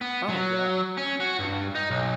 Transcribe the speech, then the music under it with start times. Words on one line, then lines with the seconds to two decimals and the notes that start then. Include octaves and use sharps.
Oh, wow.
0.01 B3
0.29 F#3
0.97 C#4
1.20 F#4
1.39 G2
1.75 D#4
1.90 B1